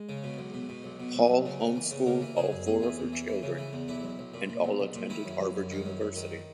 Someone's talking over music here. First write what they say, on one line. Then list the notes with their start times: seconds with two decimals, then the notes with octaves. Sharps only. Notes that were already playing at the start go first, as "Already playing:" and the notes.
Hall home-schooled all four of her children and all attended Harvard University.
Already playing: G#3
0.09 C#3
0.24 B2
0.39 B1
0.54 B2
0.69 B2
0.84 B1
1.00 B2
1.15 B1
1.30 B1
1.45 C#3
1.60 C#3
1.76 E3
1.91 C#3
2.06 C#3 A#3
2.21 E3
2.36 C#3 G#4
2.52 F#2
2.66 E2 G#4
2.82 E3
2.97 E2
3.12 E3
3.27 E3
3.43 C#3
3.58 E3
3.73 E2
3.88 B1 E4
4.04 B1
4.19 B1
4.34 A#2
4.49 A#2
4.64 B1
4.80 B1
4.95 A#2
5.10 D#3 E4
5.25 F#2
5.40 F#2
5.56 F#2
5.71 D#3
5.86 F#2
6.01 F#2
6.16 D#3